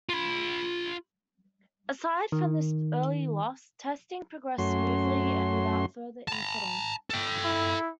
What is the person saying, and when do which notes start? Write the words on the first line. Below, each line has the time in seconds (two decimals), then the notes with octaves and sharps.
Aside from this early loss, testing progressed smoothly and without further incident.
0.09 F4 B5
2.32 D#3
4.58 F#2 A3 C#4 F#4 C6
6.28 A5 A#5
7.10 A4 G5
7.44 E4